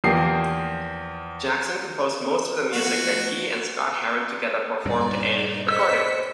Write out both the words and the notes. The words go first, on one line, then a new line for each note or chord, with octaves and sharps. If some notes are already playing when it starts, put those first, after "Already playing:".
Jackson composed most of the music that he and Scott-Heron together performed and recorded.
E2 F3 A#3 G4 C7
F3 A3 B3 F#4
G2 A#2 C#3 D#4 D5
C5 D#5 E6 B6 C#7